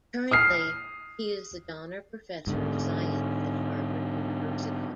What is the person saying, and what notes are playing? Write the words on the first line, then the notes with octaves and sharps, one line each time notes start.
Currently, he is the Donner Professor of Science at Harvard University.
D#6 F6 C7
G#2 D3